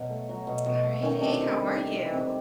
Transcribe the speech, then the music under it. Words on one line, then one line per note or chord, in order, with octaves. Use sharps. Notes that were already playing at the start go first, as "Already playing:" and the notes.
All right. Hey, how are you?
Already playing: B2 F#3
A3
F#3
B2
B2
A3
D#3 C#4
C3 D4
C3
G3
D#3
C3
C3